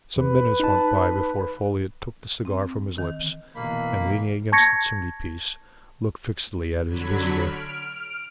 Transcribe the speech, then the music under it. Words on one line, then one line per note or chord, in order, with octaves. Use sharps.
Some minutes went by before Folliot took the cigar from his lips and leaning against the chimneypiece looked fixedly at his visitor.
E2 B4
D#4 A5
C4
D#3
B2 E3 A#3 B5
A5 C#6 G#6 A#6 C#7
D3 F#3 B5 G#6
F6 D7